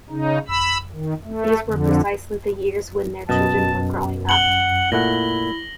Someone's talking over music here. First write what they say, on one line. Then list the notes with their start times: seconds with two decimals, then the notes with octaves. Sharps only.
These were precisely the years when their children were growing up.
0.10 C#3 D#4
0.48 B5 E6
0.93 D#3
1.24 A3
1.67 F2 D3
3.29 F#2 B2 D#5 A5
4.29 F#5 F#7 G7
4.92 A#2 A3 E4 F#5 A#6